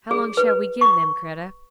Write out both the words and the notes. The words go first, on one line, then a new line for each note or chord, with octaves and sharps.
"How long shall we give them, Kreta?"
G#4
B4
C#6